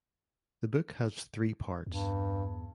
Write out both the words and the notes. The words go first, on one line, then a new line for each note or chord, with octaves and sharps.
The book has three parts.
E2 G2